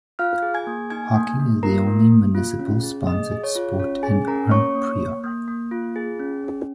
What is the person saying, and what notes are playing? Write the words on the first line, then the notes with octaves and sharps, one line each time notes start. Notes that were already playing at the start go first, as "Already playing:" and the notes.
Hockey is the only municipally sponsored sport in Arnprior.
F4 F5 F6
G#4
G#5 G#6
A#3
D#4 G#5 G#6
A#3
A#3
F4 A#4 A#5
A#3
A#3
F4
C#4
G#4
G#4 D#5
G#4
C#5
F4
C#4 C#5
C#4 G#4 G#5
C#4 A#4 A#5
A#3 C#5 C#6
A#3
A#3
A#3
A#3
F4
G#4
C#4
C#4